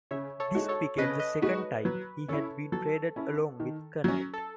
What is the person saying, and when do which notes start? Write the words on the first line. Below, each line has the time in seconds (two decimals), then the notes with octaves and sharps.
This became the second time he had been traded along with Kunnert.
0.11 C#3 C#5 E5
0.40 A4 C#5
0.55 G#3 D#4 F#4
0.69 A4 C#5
0.98 C#3 B4 D#5
1.19 B4 D#5
1.42 G#3 D#4 F#4 B4
1.85 F#3 B4
2.28 C#4 E4 A4 C#5
2.72 F#3 A4
3.16 C#4 E4
3.60 D#3
4.04 F#3 C#4
4.33 A4